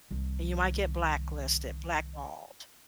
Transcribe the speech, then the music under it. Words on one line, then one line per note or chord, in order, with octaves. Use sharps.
And you might get blacklisted, blackballed.
C2 D#3